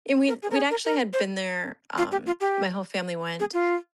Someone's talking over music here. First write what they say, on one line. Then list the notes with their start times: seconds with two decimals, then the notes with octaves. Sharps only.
And we'd we'd actually had been there, um, my whole family went
0.28 A#4
0.42 G#4
0.51 A#4
0.56 G#4
0.71 A#4
0.85 A#4
1.13 C5
1.98 F4
2.12 G4
2.26 F4
2.41 G4
3.40 G#4
3.54 F4